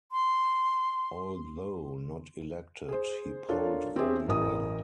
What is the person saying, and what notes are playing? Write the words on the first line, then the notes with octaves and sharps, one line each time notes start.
Although not elected, he polled very well.
C6
G#4 C5
D4 F4 A4 A#4 C#5
C4 G4 G#4 E5
A1 E3 A#4 D#6